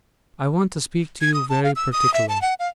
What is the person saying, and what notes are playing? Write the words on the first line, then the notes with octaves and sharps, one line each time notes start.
'I want to speak to you very particularly.
G#6
D#6
A5
F5
E6
D#6
E5
A5
F#5
F5